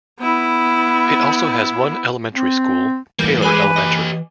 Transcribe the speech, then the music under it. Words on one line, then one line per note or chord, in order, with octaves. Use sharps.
It also has one elementary school, Taylor Elementary.
B3 E4
C4
A2 E3 G3 A#3 G6
G#3 B4 G#5 D6
G4 D#5